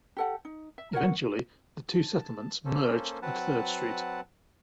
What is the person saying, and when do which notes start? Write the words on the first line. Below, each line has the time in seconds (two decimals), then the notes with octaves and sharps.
Eventually, the two settlements merged at Third Street.
0.17 G4 A4 F#5
0.45 D#4
0.78 E5
0.93 A#4 C#5 F#5
1.94 A5
2.65 A#3 C#4 A4 C5
3.22 F#3 C4 B4 F#5 A5